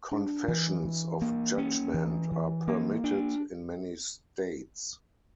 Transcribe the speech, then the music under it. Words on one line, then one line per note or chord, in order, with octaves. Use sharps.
Confessions of judgment are permitted in many states.
D4
E3
E3
A#3
C#4
E3
E3
A#3
D4